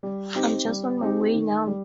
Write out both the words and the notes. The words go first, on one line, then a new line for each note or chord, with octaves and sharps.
I'm just on my way now.
G3
C4 D#4 G4
G3
C4 D#4 G4
D#3
G3